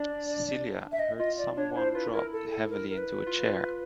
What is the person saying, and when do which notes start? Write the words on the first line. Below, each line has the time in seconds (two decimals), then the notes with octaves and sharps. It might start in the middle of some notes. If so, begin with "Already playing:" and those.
Celia heard some one drop heavily into a chair.
Already playing: D4 D5
0.92 E5
0.99 D#5
1.19 F4 D#5
1.38 D5
1.57 D4 C#5
1.75 E4 C5
1.94 F4 B4
2.13 E4 A#4
2.32 A4
2.50 A4
2.70 A#4
2.90 A#4
2.98 B4
3.27 F4